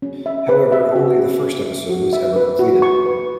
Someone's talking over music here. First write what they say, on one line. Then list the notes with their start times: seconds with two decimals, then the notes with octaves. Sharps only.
However, only the first episode was ever completed.
0.02 C#4
0.26 E5
0.49 B4
0.72 E5
0.96 F#4
1.19 C#4
1.42 C#4
1.66 E5
1.89 F#4
2.13 E5
2.36 B4
2.59 F#4
2.82 C#6
3.06 B4